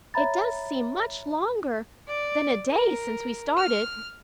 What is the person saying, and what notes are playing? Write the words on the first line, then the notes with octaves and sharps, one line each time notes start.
"It does seem much longer than a day since we started."
C#5 E5 A#5 B5 A6
D5
A#4
F6